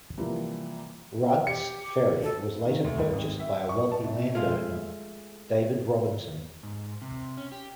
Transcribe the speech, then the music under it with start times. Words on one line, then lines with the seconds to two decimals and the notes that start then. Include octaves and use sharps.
Rudd's Ferry was later purchased by a wealthy landowner, David Robinson.
0.17 C3 E3 F3 G3 A#3
1.47 G4 C#7
1.83 D6
2.23 A4
2.65 D#3
2.84 D2
2.99 G2
3.13 G#1
3.39 E5
3.69 C#6
3.92 A5
4.04 C2
4.35 G#3 A3 F4
6.63 G#2
7.02 C3
7.37 C#4
7.52 G4